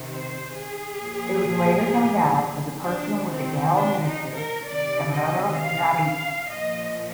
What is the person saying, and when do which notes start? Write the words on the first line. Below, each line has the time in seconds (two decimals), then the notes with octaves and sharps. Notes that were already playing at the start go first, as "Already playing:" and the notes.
It was later found out that the person was the Goa minister Damodar Naik.
Already playing: C3 D#3
0.08 C5
0.54 G#4
0.99 A#2 F3
2.83 C3 D#3 D4
3.28 C4
3.74 D4
4.05 D#4
4.35 A#4
4.65 C3 D#3 D5
5.12 D#5
5.57 F5
6.02 F5
6.49 A#2 F3 D#5